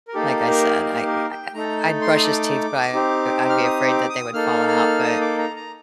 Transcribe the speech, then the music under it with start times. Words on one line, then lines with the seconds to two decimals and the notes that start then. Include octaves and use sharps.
like I said, I I I I'd brush his teeth but I I'd be afraid that they would fall out, but
0.08 A#4
0.14 A#3 D#4 G4 A4
0.49 A#4
0.84 A#4
1.07 A#4
1.31 G5
1.54 A3 D#4 A4 A#5
2.01 C6
2.17 D#6
2.24 D6
2.93 C4 D#4 G4
3.49 F6
3.64 D#6
3.87 D6
4.10 D#6
4.33 A#3 D#4 A4 F6
4.69 F6
5.03 D#6
5.21 D6
5.38 A#5
5.56 A#5